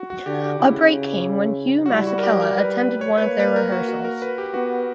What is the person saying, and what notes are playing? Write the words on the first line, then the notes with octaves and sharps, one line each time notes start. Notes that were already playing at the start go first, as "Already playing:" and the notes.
A break came when Hugh Masekela attended one of their rehearsals.
Already playing: F#4
F#4
D3 G4
G4
C#3 E4
F#4
G3 E4
F#4
A#4
G4
A#4
B4
B4
C#5
B4
A#3 C#5
B4
A#4
F#4
F#4
A#4
B4
G4
B3 F#4